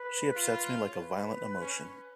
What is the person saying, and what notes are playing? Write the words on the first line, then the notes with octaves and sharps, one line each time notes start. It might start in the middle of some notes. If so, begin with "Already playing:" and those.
She upsets me like a violent emotion.
Already playing: B4
F4
C#5
B4
C#4